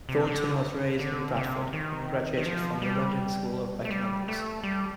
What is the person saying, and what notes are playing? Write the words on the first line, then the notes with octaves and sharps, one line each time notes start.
Thornton was raised in Bradford, and graduated from the London School of Economics.
C3
D3
D3
C3
D#3
D#3
F3
G3
A3
G3
A3
G3